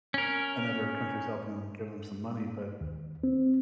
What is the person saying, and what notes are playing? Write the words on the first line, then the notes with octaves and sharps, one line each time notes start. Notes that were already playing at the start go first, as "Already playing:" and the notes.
and other countries helping 'em give 'em some money, but
C#4 A#4
D#2
C4